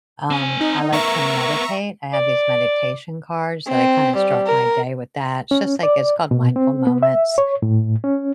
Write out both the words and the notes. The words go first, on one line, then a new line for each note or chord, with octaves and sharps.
Um, I like to meditate, I have these meditation cards that I kinda start my day with that, it's just, like it's called Mindful Moments,
C4 G#5
D#4
B3 A#4 E5 A#5 C#6
D5
C4
G3
A#4
C#4
D5
B2
C4
B3
E5
C#5
A2
C#4